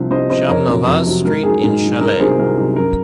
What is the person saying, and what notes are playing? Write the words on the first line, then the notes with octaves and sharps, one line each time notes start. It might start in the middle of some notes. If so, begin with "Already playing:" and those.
Champnovaz Street in Challex.
Already playing: C2 C3 F3
C2 C5 D#5
C3 F3 C5 D#5
F2 A#4 C#5
C3 F#3
F2
C3 F#3
G#2 A#4
D#3 F#3 G#4
G#2
D#3 F#3
C2 A#4
C3 D#3 F#3 G#4 C5
C2 A#4
C3 D#3 F#3
F#2 A#4